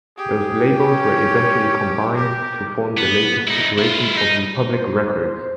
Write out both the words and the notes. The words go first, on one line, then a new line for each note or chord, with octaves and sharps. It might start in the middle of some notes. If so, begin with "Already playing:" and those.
Those labels were eventually combined to form the latest iteration of Republic Records.
G4 G#4
C#4
G4 A#4
B3
D#4 E4
E4 F4
D#4
C5